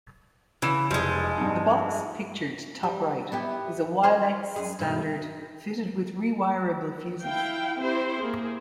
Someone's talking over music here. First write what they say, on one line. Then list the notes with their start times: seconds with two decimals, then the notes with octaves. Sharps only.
The box pictured top-right is a "Wylex standard" fitted with rewirable fuses.
0.62 C#3 E3 E6 E7
0.91 F1 F3 G#3
1.38 G2 G3 D#4
2.83 G3
3.32 B3 E4 G4
4.03 C#4 G#4 C5
4.56 F#2 G#4
4.79 G2 B2 A3
7.24 E4 F5 G5
7.77 C4 E4 G4 C5
8.20 A#3 G#4